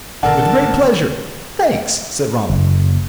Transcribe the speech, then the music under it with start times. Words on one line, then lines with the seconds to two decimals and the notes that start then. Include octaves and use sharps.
"With great pleasure--thanks," said Ronald.
0.23 G#1 B2 D3 D4 A4 A#4 F#5 A5
2.50 F#1